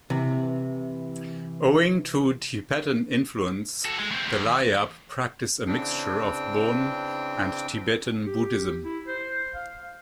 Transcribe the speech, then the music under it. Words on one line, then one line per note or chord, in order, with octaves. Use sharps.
Owing to Tibetan influence, the Layap practice a mixture of Bon and Tibetan Buddhism.
C3 E3
F#4 A4
G#3
A3 C4
E2
C#3 E3 C4 D4 G5
G4
E4
C5
F5